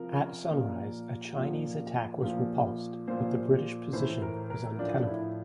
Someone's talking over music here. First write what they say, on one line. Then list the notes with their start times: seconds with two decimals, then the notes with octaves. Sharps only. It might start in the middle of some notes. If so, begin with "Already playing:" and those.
At sunrise a Chinese attack was repulsed, but the British position was untenable.
Already playing: C3 F3 A#4
0.51 A#2 F3
1.36 A#2 F3
2.22 A#2 F3
3.08 A#2 F3 C5
3.93 A2 E3 C5
4.22 A#4
4.50 A#4
4.78 A2 F3 D4
5.08 E4